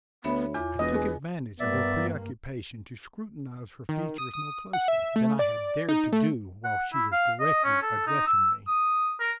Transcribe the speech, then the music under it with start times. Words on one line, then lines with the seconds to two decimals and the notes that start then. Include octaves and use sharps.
I took advantage of her preoccupation to scrutinize her features more closely than I had dared to do while she was directly addressing me.
0.24 D2 B3 C#5 E5 B5
0.54 E2 E4 F4 D6
0.79 E1 B4 D#5
0.95 G#4
1.60 G2 A#3 B3 D5 E5
3.89 D#3
4.18 D#6
4.34 D#6
4.73 F#5
4.88 E5
5.16 A3
5.39 D5
5.89 D#4
6.13 A3
6.64 F#5
6.93 E4
7.12 F5
7.40 D#5
7.64 C#4
7.82 A4
8.07 D#4
8.27 E6
8.67 D#6
9.20 A#4